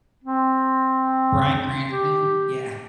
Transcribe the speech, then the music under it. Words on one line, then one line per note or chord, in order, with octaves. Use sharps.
Bryan Cranston? Yeah,
C4
G4